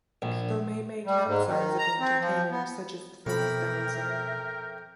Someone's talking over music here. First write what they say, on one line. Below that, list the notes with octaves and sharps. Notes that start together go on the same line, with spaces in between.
People may make hand signs at the entertainer, such as the thumbs down sign.
A#1
G3
G#2
D#3
A#5
C4
F3
B3
F2 B2 A#4 E5 G5 B5 G6